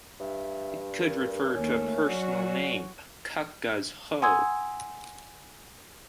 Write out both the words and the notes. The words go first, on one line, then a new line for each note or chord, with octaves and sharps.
It could refer to a personal name - Cucga's Hoe.
G2 E5
A#4
D#2 A3 C#4
F#3 F#4 D5
F#5 G#5 C6 D#6 E6 G#6